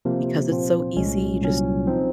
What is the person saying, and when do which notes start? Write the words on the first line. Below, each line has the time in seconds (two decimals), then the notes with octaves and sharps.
because it's so easy; you just
0.05 C3 F3 A#3
0.51 A#2 F3 C4 F4
0.96 C2 A#2 G#3 C#4
1.41 C2 A#2 F#3 C#4
1.87 F3 C4 D#4